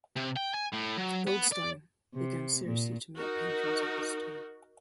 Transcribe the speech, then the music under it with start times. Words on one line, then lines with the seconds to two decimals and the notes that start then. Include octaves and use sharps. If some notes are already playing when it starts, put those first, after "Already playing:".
Goldstein began seriously to make paintings at this time.
0.16 C3
0.36 G5
0.54 G#5
0.72 A2
0.97 F#3
1.27 B3
1.52 D5
2.14 C3
2.65 A#2
3.17 D#4 F#4 A#4